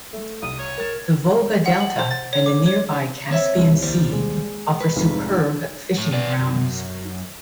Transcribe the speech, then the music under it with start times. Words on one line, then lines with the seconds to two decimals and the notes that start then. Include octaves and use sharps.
The Volga Delta and the nearby Caspian Sea offer superb fishing grounds.
0.13 A3
0.42 C2 D#6
0.59 C#5
0.78 A#4 A6 E7
1.66 F#5
1.80 F#7
1.99 C5
2.11 A6
2.33 C#5
2.46 D6
2.66 C#5
3.31 C4 C#5 E5
3.58 C2
3.82 D#2 G3 C5
4.12 G#3
4.81 B4
4.96 F1 F2 G#2
5.98 A2
6.13 B3 D5
6.38 C#2 F#2